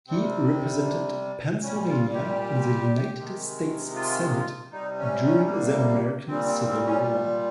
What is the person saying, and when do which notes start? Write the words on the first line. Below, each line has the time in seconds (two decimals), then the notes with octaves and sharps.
He represented Pennsylvania in the United States Senate during the American Civil War.
0.08 C3 G3 C4
1.63 A#2 G3 C#4
1.88 F4
2.14 G4
3.18 C3 D#3 G#3
3.95 F4
4.72 C3 G3 D#4
4.98 C#4
5.24 C#4
5.50 A#3
6.27 A#2 G3 C4
6.47 C4
6.66 C4
6.86 C#4